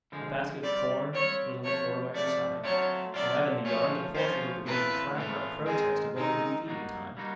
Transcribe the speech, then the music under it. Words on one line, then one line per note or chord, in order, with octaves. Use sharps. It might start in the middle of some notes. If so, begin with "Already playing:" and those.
A basket of corn was on the floor by her side, and out in the yard the poultry were beginning to clamour a protest of overdue feeding-time.
D3 F3 G#3
G3 C4 F4 D5
G3 C4 F4 C#5
C3 F3 A3 C#5
C3 F3 A3 D5
F#3 A3 C4 F4 C#5
F#3 A3 C4 F4 D5
F3 A3 C#4 F4 C#5
F3 A3 C#4 F4 C5
A2 E3 A3 C4 F4 B4
A2 E3 A3 C4 F4
D#3 G#3 C4 G#4
D#3 G#3 C4 D#4
G3 A#3 D#4 F#4
G3 A#3 D#4 F#4